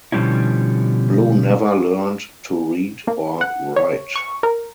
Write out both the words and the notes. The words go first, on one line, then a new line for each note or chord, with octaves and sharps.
Blue never learned to read or write.
B2 D3 F3 G3 C#4 E4
A#3
F#5
C#5
C#6
A#4